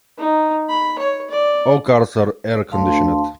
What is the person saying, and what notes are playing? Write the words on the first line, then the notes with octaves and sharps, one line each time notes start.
All cars are air-conditioned.
D#4
B5
C#5
D5
D2 F5 A5 C6